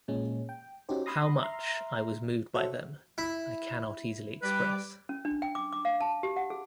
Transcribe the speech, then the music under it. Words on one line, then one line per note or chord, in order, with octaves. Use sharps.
How much I was moved by them, I cannot easily express.
A#2 G#3 C#4
G5
C#4 D#4 F#4 G4 C5
B5 C6 D#6 A#6
E5 A#5 C6 F6
F#4 A4 C5 C#5 E5 F#5
E4
G3 B4 D6
C#4
D4
G5
D6
D6
F5
A5
G4
F#5
G#4